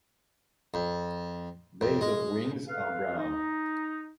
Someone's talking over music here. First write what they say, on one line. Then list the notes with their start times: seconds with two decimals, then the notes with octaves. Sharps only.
Base of wings are brown.
0.74 F2
1.81 F2
2.01 G#3
2.68 A4 B4 F5
3.18 D#4